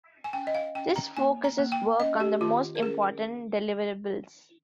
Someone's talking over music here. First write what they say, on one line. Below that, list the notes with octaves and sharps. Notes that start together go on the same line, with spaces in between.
This focuses work on the most important deliverables.
G#5
C#4 G5
D#5
F5
C#4 G5
A#5
A#3 G#5
A#5
A#3
G5
C#4 D#5
G4
D#3 F4
A#4
C#4 G#4